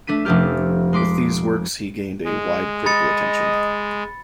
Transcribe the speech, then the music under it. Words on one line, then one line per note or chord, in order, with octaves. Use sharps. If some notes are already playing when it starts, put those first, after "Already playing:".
With these works he gained a wide critical attention.
A3 D4 B6 D#7
F1 F3 A3 C#4 G4 F6
G#3 C6 D6 B6
G#3
D#5 B5 A6 C#7